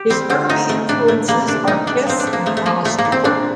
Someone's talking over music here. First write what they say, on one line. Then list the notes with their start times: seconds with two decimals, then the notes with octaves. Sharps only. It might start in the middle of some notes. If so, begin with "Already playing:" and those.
His early influences are Kiss and Alice Cooper.
Already playing: G4
0.10 G3 C4
0.30 D3 C4
0.49 A3 D#4
0.69 A3
0.89 A2 D4
1.08 A3
1.28 G3 A#3
1.48 C3 D4
1.67 A3 D#4
1.87 A3 D4
2.07 F3 C4
2.20 D4
2.27 A3
2.33 A#3
2.46 F3 A3
2.57 A3
2.66 F3 A#3
2.85 A#2 A3
2.98 A#3
3.05 A#2
3.12 C4
3.24 A#2 D4